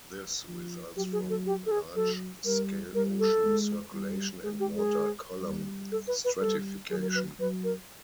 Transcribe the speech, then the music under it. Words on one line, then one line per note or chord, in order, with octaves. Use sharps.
This results from large-scale ocean circulation and water column stratification.
F3
F#3 G4
G#4
A4
G4
A4
G#4
F#3 A4
G3 A#4
G3 A#4
A4
G#3
G3
G#3 G#4
G4
G#4
G3
A4
B4
B4
G3 A4
F#3 G#4
A#4
B4
F#3 B4
A#4